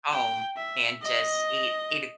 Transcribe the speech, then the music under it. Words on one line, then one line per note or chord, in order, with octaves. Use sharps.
home and just eat eat a
G5
E5
D#5